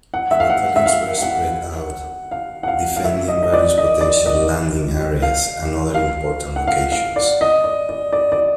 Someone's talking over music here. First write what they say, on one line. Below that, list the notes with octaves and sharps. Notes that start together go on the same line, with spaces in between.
The battalions were spread out defending various potential landing areas and other important locations.
F#5
E5
F5
F#5
E5
F5
F5
F#5
F5
F#5
F5
F5
E5
D#5
D#5
D5
D#5
D5
D#5
F5
F5
F#5
F5
F5
D5
D#5
D5
D5
D5
D5